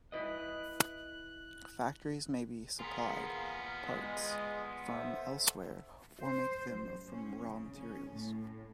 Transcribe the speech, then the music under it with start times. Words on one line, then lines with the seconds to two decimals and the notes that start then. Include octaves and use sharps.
Factories may be supplied parts from elsewhere or make them from raw materials.
0.12 E4 B4 D#5 F#6
2.79 A#3 B3 F4 G#4
3.86 G#3
4.89 A4 C5 E5
6.21 C5
6.71 F#2
7.07 C#4
7.47 C#3
7.77 C#4
8.12 A2